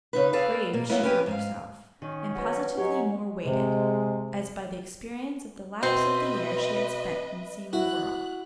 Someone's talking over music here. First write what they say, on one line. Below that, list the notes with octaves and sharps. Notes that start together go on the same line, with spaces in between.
Grave she found herself, and positively more weighted, as by the experience of the lapse of the year she had spent in seeing the world.
C#3 D#4 B4
G#4 A4 B4 D5 F5
B2 A#3
F#3 A#3 B3 E4 G#4 B4
C#4 G4 G#4 B4 G5
G#2 F5
D#3 C#4
D#3 F#3 B4 C#5 F#5
F#3 D#4 G4 C#5 F#5 G#5
C3 G#3
B2 C4 B4 D#5 E5
E4 F#4 F#6